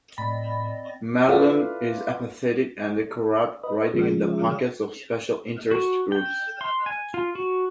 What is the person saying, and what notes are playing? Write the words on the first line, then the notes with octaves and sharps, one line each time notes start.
Marlon is apathetic and corrupt, riding in the pockets of special interest groups.
A2 C4 D5 D#5 B5
E4 F4 A4 B4 D5 F5
B4 D#5
C#3 F3 G#3
F#4
G5
C6
G#5
F4
F#4